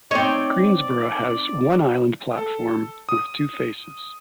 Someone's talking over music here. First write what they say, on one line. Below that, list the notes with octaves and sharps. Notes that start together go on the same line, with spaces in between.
Greensborough has one island platform with two faces.
C4 D#4 C#5 D5
A4
D#6